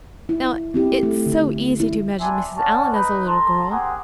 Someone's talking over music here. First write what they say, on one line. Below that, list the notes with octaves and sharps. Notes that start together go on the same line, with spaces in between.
Now, it's so easy to imagine Mrs. Allan as a little girl.
E4
C4 E4 G4
A3
D3
E4
B3 C4 D4 E5 G#5
C#4 D4 F#4 A5
D#4 B4
A4 A5 A#5 C6
C4 G4 G#4 A#4 F#5